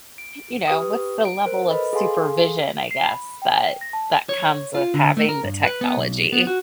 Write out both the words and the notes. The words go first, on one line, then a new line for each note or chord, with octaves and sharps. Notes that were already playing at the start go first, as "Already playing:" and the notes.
you know, what's the level of supervision, I guess, that that comes with having the technology?
D7
G4 B4 D#6
D7
A#4 C5
A4 B4 D#5 B5
G#4 A4 F5 G#5 C6
C7
B5
G5
A#6
A5
C#5
F4
D3
A3
A#4
G2
B4
B3
B1
B3
F#4